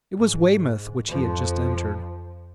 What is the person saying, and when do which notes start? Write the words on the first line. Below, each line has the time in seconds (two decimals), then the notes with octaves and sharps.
It was Weymouth which he had just entered.
0.15 G#2
1.07 F2 F3